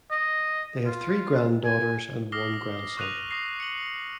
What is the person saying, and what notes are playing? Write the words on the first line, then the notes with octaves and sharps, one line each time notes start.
They have three granddaughters, and one grandson.
D#5
F4
G#5
D6 D#6 F6 A#6 C7 G7
C#6 D#6 F#6 A#6 D#7 F7
C#6 D#6 A#6 C7
C#7 F#7